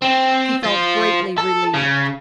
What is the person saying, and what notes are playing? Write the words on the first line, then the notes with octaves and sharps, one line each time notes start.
He felt greatly relieved.
C4
F4 C5
A4
C#3